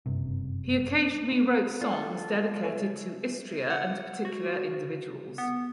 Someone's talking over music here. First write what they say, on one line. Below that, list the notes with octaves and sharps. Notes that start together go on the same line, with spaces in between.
He occasionally wrote songs dedicated to Istria and particular individuals.
F#1 G2 C3
A3 D4 F4 A4
C#5 E5 G#5
F#5
F#4
B3